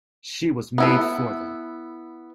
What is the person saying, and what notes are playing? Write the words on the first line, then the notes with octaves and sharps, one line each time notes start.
She was made for them.
B3 E4 A4